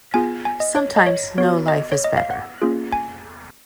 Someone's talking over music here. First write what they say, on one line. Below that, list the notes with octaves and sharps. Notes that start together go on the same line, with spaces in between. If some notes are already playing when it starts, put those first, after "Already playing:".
Sometimes, no life is better.
B3 F4 G#4 G#5
G#5
D#5
C#5
D#5
C#5
B3 F#4 C#5
D#5
C#5
D#5
F5
F#5
A#3 C#4 F4 G#4
G#5